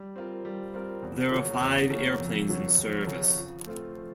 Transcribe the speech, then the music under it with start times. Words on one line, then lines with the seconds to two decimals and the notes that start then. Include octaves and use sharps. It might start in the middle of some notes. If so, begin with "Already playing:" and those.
There are five airplanes in service.
Already playing: G3
0.16 C4 F4 A#4
0.45 G3
0.74 C4 F4 A#4
1.02 E2
1.32 C#3 F#3 A#3
1.61 E2
1.90 C#3 F#3 A#3
2.20 F2
2.49 C#3 F#3
2.78 F2
3.07 C#3 F#3
3.36 F3
3.66 A3 C4 F4
3.95 F3